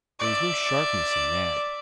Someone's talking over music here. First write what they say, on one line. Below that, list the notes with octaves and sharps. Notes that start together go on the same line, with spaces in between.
There was no sharpness in that.
D5 E5